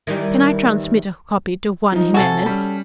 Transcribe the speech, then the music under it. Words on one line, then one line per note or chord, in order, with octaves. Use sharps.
Can I transmit a copy to Juan Jimenez?
D#3 E3 G3
F3 D#4
C3 F#4 A4 G#5
G3 C#4